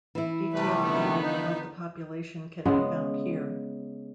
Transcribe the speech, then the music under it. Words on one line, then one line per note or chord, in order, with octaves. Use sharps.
Detailed data about the population can be found here.
E3 E4
C3 G3 A3 B4
D3 D#3 B3
F3 D#4
C#3 G#3 B3